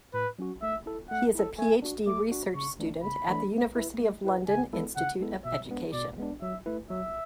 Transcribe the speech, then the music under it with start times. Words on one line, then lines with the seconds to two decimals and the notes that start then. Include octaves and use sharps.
He is a PhD research student at the University of London Institute of Education.
0.14 A2 B4
0.39 F#3 C#4 F#4
0.62 A3 E5
0.86 E4 A4
1.10 A3 F#5
1.35 E4 A4
1.58 A3 G#5
1.82 D4 F#4
2.07 A3 D6
2.31 D4 F#4
2.55 C#3 C#6
2.79 E3 A3 D4
3.04 C#3 B5
3.28 E3 A3 D4
3.52 A3
3.76 E4 B4
4.00 A3
4.24 E4 B4
4.48 C#3 G#5
4.73 G#3 B3 E4 A4
4.97 C#3 F#5
5.21 G#3 B3 E4 A4
5.45 B2 E5
5.70 G#3 B3 D4
5.93 B2 D5
6.18 G#3 B3 D4
6.42 F#3 E5
6.66 A3 E4 B4
6.90 F#3 E5